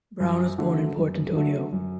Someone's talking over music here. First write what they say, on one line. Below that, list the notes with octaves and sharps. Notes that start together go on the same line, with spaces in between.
Brown was born in Port Antonio.
F#2
D3 F#3 A3
F#2
D3 F#3 A3
F#2